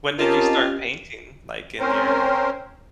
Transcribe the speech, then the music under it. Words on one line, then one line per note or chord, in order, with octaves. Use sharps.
When did you start painting, like, in your,
C4 C#4 F4 G4 A#4 C#5 D#5 A5
C4 C#4 A#4 C5